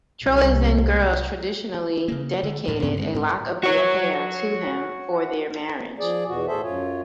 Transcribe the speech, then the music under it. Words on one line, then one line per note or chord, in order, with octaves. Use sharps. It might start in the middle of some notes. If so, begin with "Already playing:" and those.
Troezen girls traditionally dedicated a lock of their hair to him before their marriage.
C2
C#3 A#3
D3
D2 A2 F#3 A3
G2 C3 B3 C#4
D3 G#3 C4
G#2
F#4 C#5
F3 G#4 D5
E2 B2 F#4
A2 G#4 A4 C5 E5
F#2 F4 C#5